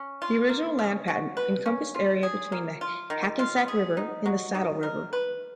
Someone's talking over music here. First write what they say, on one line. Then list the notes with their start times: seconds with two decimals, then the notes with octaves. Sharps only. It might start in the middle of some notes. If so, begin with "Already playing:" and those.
The original land patent encompassed area between the Hackensack River and the Saddle River.
Already playing: C#4
0.22 F4
0.49 A#3
0.79 C#3
1.08 F#4
1.37 B4
1.66 C#4
1.95 F4
2.23 G#4
2.52 A#3
2.81 F4
3.10 D#3
3.39 F4
3.68 G#4
3.97 D#4
4.26 F#3
4.55 D#4
4.83 A#4
5.13 B4